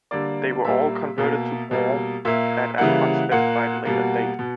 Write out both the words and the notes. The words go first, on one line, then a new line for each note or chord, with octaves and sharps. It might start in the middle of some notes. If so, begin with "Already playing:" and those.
They were all converted to bore at an unspecified later date.
D3 G3 A#3 D5
A#2 G3 A#3 E5
B2 A#3
B2 G3 A#3
A#2 A#3 E5
C#3 E3 G3 A#3 F#5
A#2 A#3 F#5
B2 G3 A#3
B2